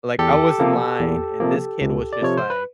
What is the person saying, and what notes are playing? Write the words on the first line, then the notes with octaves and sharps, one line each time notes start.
like, I was in line, and this kid was just, like,
E2 G4 A4
C3 F3 A#3
E2
C3 F3 A#3
C#2
D5
C3 F3 C#5
C5
B4